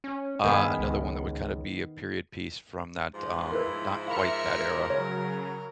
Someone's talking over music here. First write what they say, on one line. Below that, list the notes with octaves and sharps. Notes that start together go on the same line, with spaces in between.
Uh, another one that would kinda be a period piece from that, um, not quite that era,
C#4
G2 D#3 B3 G#4
C#2
G#2 F3
E4 A#4 B4
A#4 E5 F5 B5 F6 C#7
C#3 F#3 C#5